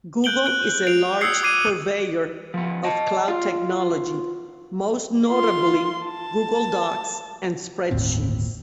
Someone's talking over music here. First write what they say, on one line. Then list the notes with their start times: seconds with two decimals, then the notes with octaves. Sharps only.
Google is a large purveyor of cloud technology, most notably Google Docs and Spreadsheets.
0.24 F#6 G6 D7 F#7 G7
0.46 F#6 D7
0.87 C7 D7 F7
1.21 D#6 E6 G#6 C7 C#7
1.43 D6 G#6 C7 D#7
2.54 F3 B3
2.84 D#5 A5
3.28 F4 F5
5.30 F4 C6
6.06 A5
7.91 G1 D#2 A2 C4